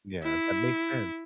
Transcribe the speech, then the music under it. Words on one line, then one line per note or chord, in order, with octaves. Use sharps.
Yeah. That makes sense.
E4